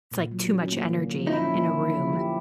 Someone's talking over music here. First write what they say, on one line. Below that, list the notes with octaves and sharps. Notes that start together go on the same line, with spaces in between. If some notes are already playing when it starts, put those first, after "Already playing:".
it's, like, too much energy in a room.
A#2
F#3
C#4
A#3
D3
F3
D#4
C#4 E4
A#3
D3
F3
G4